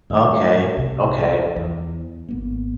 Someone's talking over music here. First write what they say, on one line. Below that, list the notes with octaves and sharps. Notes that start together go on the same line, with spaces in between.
Okay. Okay.
G2 D#3 A3
C2 C3
E2
G#1 A#3 B3